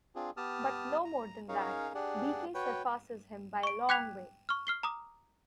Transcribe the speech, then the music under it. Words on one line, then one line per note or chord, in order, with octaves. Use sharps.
But no more than that; Beecke surpasses him by a long way.
C4 D4 F4 G#4
B3 G4 A5 D#6 F6
A#5
C#4 D#4 G#4 A#4 C#5 F5
D4 G4 G#4 D5 F#5
F#4 B4 C#5 G5
C#6 D7
G5 D6 F#6 G#6 B6 F7
C#6 F6
F6 C7 G7
A#5 D6 D#6